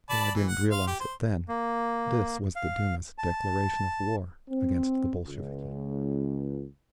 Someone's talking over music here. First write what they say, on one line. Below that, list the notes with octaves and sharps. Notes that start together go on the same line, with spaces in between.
Though I didn't realize it then, this was the Duma's declaration of war against the Bolsheviki.
D5 A5 B5
E3
F#5
F5 C6
G4
C5
A#3
F5
A5
C4
C#2